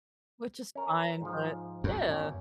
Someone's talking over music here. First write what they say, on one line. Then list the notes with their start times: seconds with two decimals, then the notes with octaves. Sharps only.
Which is fine. But, yeah.
0.75 C#4 A#4
1.21 G#2 F3
1.84 F#2
2.08 E2 C#4